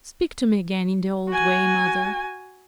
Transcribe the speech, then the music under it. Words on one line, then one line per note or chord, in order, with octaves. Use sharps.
Speak to me again in the old way, mother.
F#4 G#5